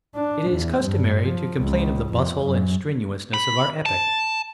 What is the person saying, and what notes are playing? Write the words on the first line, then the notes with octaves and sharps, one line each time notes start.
It is customary to complain of the bustle and strenuousness of our epoch.
D4
E2
G2
F3
C#2
F2
F#2
B5
A5